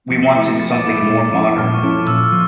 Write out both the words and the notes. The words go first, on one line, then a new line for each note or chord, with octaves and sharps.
We wanted something more modern.
F3 C#7
A3 E4
F3 A6
D6
A3 E4
D6
A#2
F3 C#4 E4 A4
A#2 F6
C#6
F3 C#4 E4 A4
D6
A#2 E6
F6
F3